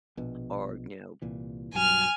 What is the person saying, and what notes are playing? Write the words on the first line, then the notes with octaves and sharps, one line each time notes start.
or, you know
A#1 B2
C2 A#2 E3
B1 G2 F#3 G#5 F6